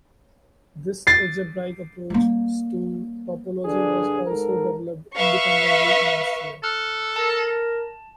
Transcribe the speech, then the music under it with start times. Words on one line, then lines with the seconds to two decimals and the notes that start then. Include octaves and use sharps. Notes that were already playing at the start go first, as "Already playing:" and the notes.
This algebraic approach to topology was also developed independently in Austria.
1.07 A6 C7
2.10 G3 A#3
3.65 G2 D3 D4 G#4
4.28 G#2 A4 A#4
5.15 B4 E5 F5 C#6
6.64 A4 F6 F#6
7.16 A#4 A5